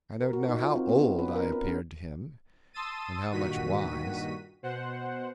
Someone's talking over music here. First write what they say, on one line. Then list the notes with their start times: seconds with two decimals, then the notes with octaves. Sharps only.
I don't know how old I appeared to him--and how much wise.
0.21 A#4
0.33 F#4
0.49 D#4
0.62 F4
0.76 C4
0.89 B3
1.03 C#4
1.19 B4
1.36 A#4
1.52 A#4
1.68 C#4
2.73 A5 C6 D#6 E6 A6 D#7
3.31 G2 A#2 D#3 F#4 B6 D#7
4.63 B2 C5 F#5